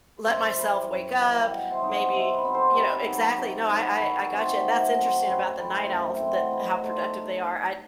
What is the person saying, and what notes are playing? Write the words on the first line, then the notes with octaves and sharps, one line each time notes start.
let myself wake up, maybe, you know Exactly, no, I I I gotcha, and that's interesting about the night owls that how productive they are at
F#2 C5 E5
E3 G3
F#2
E3 G3
G5
B2 D#5 F#5
C5 E5
F#3 C4 D#4
D#5 F#5
B2 C5 E5
B4 D#5
F#3 C4 D#4
A4 C5
C3 G4 B4
F#3 B3 D#4
C3
F#3 B3 D#4
B4
D#3 F#4 A4
F#3 A3 C4 D#5 F#5
D#3 D#5 F#5
E5
D#5 F#5
F#3 A3 C4
A5 C6
F#2 G5 B5
E3 A3 C4 G5 B5
F#2
E5 G5
E3 A3 C4
D#5 F#5
B2 B4 D#5
A3 D#4 A4 C5